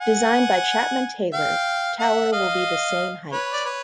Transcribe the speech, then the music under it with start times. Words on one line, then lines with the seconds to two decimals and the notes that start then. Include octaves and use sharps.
Designed by Chapman Taylor, tower will be the same height.
0.01 F#5 G#5
1.33 F5 G5
1.99 E5 F#5
2.32 D#5 F5
3.32 B4 C#5
3.53 D5
3.64 B4 C#5